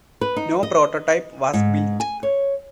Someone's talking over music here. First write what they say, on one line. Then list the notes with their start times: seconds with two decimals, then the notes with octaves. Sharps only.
No prototype was built.
0.21 B4
0.36 D#4
0.63 D#5
1.54 G#2
2.00 G#5
2.23 C#5